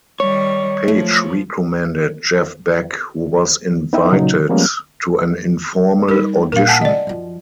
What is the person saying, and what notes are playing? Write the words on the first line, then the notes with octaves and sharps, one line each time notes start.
Page recommended Jeff Beck, who was invited to an informal audition.
D#3 G3 C#5
F3 A3
B3 D#4 E4 B4 E5 G5
A#2 C#3 F#3 D#4
F3 G3 G#3 A#3 B3 C#4
G3 D#4 A#4
A#2 A#4 F5
F#5 G#5 A5
D5 D#5
F#2 F3